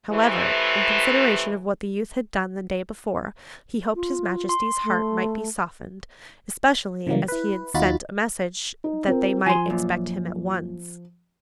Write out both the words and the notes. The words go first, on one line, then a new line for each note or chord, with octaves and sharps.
However, in consideration of what the youth had done the day before, he hoped his majesty's heart might be softened, especially as he had sent a message that they might expect him at once.
A2 C3 E3
F4
C6
A3
C#3 E3 F#3 G3 A#3
E4 B4
D#2 D#4 F4 F#4 B5 A6
D#4
C4 F4 A#4
F3 G#5 C6
F#2 A#2